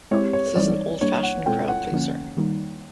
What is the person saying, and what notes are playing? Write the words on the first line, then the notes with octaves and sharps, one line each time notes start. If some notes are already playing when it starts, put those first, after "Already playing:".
This is an old-fashioned crowd-pleaser.
G#3 C4 E4 G4 C#5
C#5
E3 G3 C4 D#4 D5
G3 A#3 D4 C#5
F#5
B2 G#3 C4 F4 A4 G5
F#5
D3 F3 A#3 C#4
D#3 G3 A#3 D#4